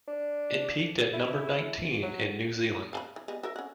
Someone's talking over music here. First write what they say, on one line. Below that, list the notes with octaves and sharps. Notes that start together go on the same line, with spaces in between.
It peaked at number nineteen in New Zealand.
D4
E4
F#3
F5 A5 B5
E3
G3 G#3 B3
F#4 A#4 E5
C#4 F#5